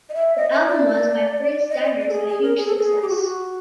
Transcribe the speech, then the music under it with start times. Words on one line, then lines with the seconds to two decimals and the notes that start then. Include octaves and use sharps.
The album was, by Free's standards, a huge success.
0.10 D#5
0.14 E5
0.37 D#5
0.52 E5
0.67 D5
1.69 D#5
1.84 D5
1.99 D5
2.09 A4
2.13 G#4
2.28 G#4
2.42 A#4
2.57 G#4
2.67 A4
2.76 G#4
3.02 G4
3.09 F#4
3.16 G4
3.23 F#4